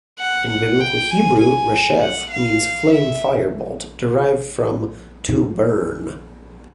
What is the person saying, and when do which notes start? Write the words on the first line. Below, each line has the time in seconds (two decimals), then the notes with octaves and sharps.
In Biblical Hebrew, "resheph" means "flame, firebolt", derived from "to burn".
0.19 F#5
0.50 F#5
0.80 G5
1.11 G#5
1.40 G#5
2.01 F#5
2.32 F5
2.91 E5